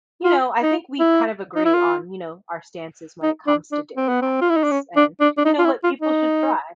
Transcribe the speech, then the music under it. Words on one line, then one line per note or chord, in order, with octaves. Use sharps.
you know I think we kind of agree on, you know, our stances when it comes to daily habits, and, you know, what people should try.
F4
D#4
E4
D#4
E4
F4
D#4
D4
D4
C4
B3
C4
F4
E4
D#4
D4
C#4
D4
D4
D4
D#4
F4
E4
F4
D#4